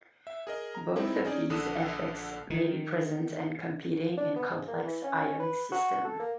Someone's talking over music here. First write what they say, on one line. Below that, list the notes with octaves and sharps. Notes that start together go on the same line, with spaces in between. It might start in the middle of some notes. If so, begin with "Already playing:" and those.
Both of these effects may be present and competing in complex ionic systems.
E5
G#4 A#4 D#5
A#5
G3 G#3 C4 D#4 E4
C#4 D#4 G#4 D5
A#1 D3 A4 D#6 F#6 E7
D#3
D4
B3
G#2
A#3
E3
C#4
B4
F#4
A4
A#3